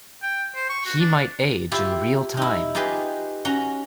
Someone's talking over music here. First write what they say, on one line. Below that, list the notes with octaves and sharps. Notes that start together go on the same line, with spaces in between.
He might age in real time.
G5
C5
C#6
F#4
D4
E4 F4 G4
D#4 E4
D#4 F4 G4 G#4 B4
C#4 F#4 A#5